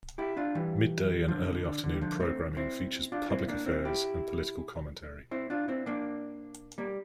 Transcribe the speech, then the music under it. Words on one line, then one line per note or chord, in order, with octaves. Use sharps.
Midday and early afternoon programming features public affairs and political commentary.
E4 G4
D4 F4
E3 G3
D3 F3
D3
D3
G3
D3 F3
A3 C4
C4 E4
D4 F4
C4 E4
A#3 D4
C4 E4
E4 G4
C4 E4
D4 F4
C4 E4
A#3 D4
G3 A#3